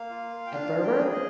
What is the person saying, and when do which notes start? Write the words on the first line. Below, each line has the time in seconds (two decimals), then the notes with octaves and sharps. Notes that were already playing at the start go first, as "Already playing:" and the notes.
At Berber?
Already playing: A#3 F5
0.10 F4
0.46 G5
0.53 D4 F5
0.83 G5
0.98 G#4
1.12 D#5